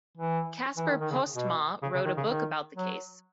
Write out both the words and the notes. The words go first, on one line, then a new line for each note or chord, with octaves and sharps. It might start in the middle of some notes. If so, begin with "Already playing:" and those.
Casper Postmaa wrote a book about the case.
E3
E3
D#3
D#3
C#3
B2
C#3
C#3
D#3
C#3
D#3
F#3